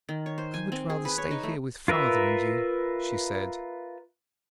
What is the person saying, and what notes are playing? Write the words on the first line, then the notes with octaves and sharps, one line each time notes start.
"I would rather stay here with father and you," she said.
D#3
C#5
C5
G#5
C4
G#4
B4
C#5
D#4
A3
F4 A#4 B4 E5